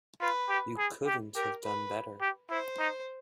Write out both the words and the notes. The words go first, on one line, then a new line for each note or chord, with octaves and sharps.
You couldn't have done better.
F4 B4
G4
G#4
G4
G4 A#4
B4
G4
E4 C5
D#4